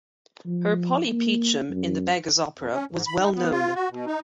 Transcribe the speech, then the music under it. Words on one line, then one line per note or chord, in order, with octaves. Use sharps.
Her Polly Peachum in "The Beggar's Opera" was well known.
F3
A#3
F#2
F2
C#4
G#2
B5
D#4
B3
F4
F#4
B2
D#4